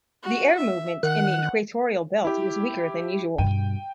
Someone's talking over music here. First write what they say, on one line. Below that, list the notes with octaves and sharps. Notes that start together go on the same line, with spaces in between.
The air movement in the equatorial belt was weaker than usual.
F#4
E5
D#3 F#5 F#6
E4 G4
G2 B2 G5 D#7